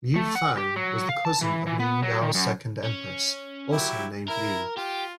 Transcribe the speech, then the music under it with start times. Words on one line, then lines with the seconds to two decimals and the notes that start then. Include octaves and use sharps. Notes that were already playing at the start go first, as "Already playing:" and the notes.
Liu Fang was the cousin of Liu Yao's second empress, also named Liu.
0.16 A3
0.35 F#5
0.58 G4
0.76 F#3
1.09 F5
1.25 A5
1.41 E3
1.67 E3
1.79 B3
2.02 F#3
2.22 D#3
2.34 F#2
2.84 C#4
3.72 F#3 E4 G4
4.28 E4 A#4
4.77 F4 G4